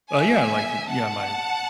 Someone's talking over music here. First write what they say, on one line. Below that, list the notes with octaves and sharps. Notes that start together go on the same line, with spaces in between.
Uh, yeah, like, yeah, my,
E5 G#5
F#5 A5